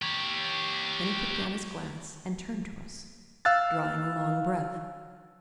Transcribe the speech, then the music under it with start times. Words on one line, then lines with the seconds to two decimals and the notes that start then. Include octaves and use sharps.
Then he put down his glass and turned to us, drawing a long breath.
0.02 G4 C#5
3.45 F5 E6 F#6 A6